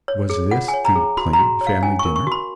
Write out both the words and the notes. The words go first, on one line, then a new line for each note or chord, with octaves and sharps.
Was this the plain family dinner?
C#5
G#4
F4 F#5
G#5
C#5
A#5
G#4
F#4 B5
A#5
F#4
C#5
F5
C#4 G#5
C#6
A#4
C#6
F#4 B5